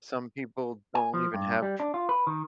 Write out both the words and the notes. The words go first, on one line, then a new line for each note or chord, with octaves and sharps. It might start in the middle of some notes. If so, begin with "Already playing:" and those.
Some people don't even have dr
G#5
F3
G2
G3
D4
F4
B4
D#3